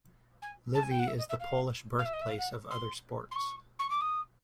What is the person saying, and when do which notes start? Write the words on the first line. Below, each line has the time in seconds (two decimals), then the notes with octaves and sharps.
Lviv is the Polish birthplace of other sports.
0.42 G#5
0.74 A5
0.83 G#5
0.91 G5
0.99 F#5
1.07 E5
1.18 D#5
1.29 E5
1.40 F5
1.99 F5
2.05 E5
2.13 D#5
2.21 E5
2.29 F5
2.38 F#5
2.70 C6
3.31 C6
3.35 C#6
3.79 C#6
3.90 D6
4.01 D#6